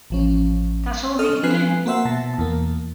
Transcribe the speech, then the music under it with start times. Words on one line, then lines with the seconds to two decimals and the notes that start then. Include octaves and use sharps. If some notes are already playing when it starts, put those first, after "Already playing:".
That's all he can do.
0.10 A1 F3 C#4
1.19 A4 D#5 F6
1.43 F3 C4 B4 G#5 F#6 C7
1.86 A#3 F#4 C5 E5 F#5
2.05 B2 A5
2.38 E2 A#3